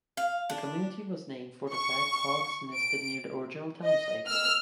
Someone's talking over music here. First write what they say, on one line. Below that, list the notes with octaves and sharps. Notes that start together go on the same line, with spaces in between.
The community was named for the fact hawks nested near the original town site.
F5
D4
C#6
D7
D#5
E6 F6